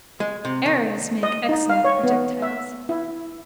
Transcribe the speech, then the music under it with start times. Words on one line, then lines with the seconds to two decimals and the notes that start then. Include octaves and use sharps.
Errors make excellent projectiles.
0.20 G#3
0.45 C3
0.66 D#3
1.23 D#5
1.49 D#4
1.69 F5
1.84 C#5
2.03 B3
2.42 E5
2.89 E4